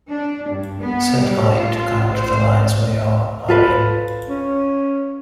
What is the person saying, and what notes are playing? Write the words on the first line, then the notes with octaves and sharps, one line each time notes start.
Set "i" to count the lines we are adding.
D4
G2
B3
G3
F4
C5
F4 A4 B4
C#4